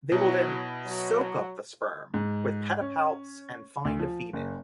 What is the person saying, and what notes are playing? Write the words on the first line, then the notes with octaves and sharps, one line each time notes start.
They will then "soak" up the sperm with its pedipalps and find a female.
B2 F#3 E4
F#3
G#2
C#4
D2
F3
F#1